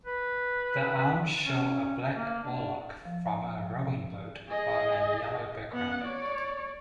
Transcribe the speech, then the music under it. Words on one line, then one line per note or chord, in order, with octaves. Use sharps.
The arms show a black oarlock from a rowing boat on a yellow background.
B4
C#4
A#3
D4
F3
G#4 D#5
B3 F#5
C#5 D5